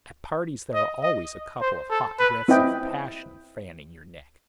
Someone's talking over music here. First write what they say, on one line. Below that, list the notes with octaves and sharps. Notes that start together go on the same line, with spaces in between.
At parties there are always a couple of hot breaths of passion fanning your neck.
D#5
D#5
C5
A4
B4
C4 E4 B4 D#5 G5